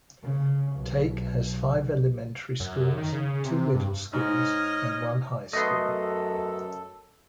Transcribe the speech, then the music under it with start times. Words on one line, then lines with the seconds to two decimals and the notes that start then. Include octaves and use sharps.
Take has five elementary schools, two middle schools and one high school.
0.23 C#3
0.76 B1
2.60 F#2
2.98 D#3
3.12 C#3
3.33 C#3
3.45 C3
3.74 G2
4.13 G#2 C#5 D#5 F6
5.53 F#2 A3 B3 A4 D#5 C6